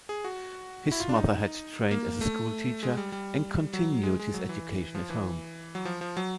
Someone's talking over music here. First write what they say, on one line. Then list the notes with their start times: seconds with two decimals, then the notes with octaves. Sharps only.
His mother had trained as a school teacher, and continued his education at home.
0.09 G#4
0.25 F#4
0.92 E4
1.00 F4
1.09 D4
1.16 D#4
1.91 A#3
2.21 A3
2.83 G#3
2.97 G3
3.12 G3
3.73 F#3
4.03 G#3
4.19 G#3
4.34 F#3
4.49 E3
4.95 F3
5.10 E3
5.75 F#3
5.85 F3
6.01 F3
6.17 F#3